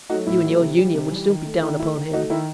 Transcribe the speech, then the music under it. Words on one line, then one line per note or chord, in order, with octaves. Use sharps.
You and your Union would soon be down upon him.
F#3 A3 D#4 F#4
A2 E4
F#3 A3
C3
E3 G3
C3
E3 G3
D#3
A3
D#3 E4
A3 E4
D#3
A3 D#4 F#4
D#3 E4